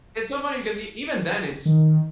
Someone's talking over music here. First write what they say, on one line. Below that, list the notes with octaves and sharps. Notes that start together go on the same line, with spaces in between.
It's so funny because e even then, it's,
D#3